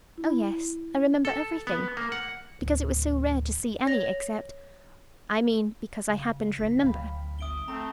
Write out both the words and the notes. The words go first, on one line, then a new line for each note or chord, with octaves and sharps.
'Oh, yes, I remember everything; because it was so rare to see any except--I mean because I happen to remember.
E4
A4
B3
A#3
F#5
D1
C#5 A#6 F7
C#3
F1 D#4 B6
D2 F#3 F5 G5 B5
G1 E5 D#6 D7 G7
A3 C4 A#5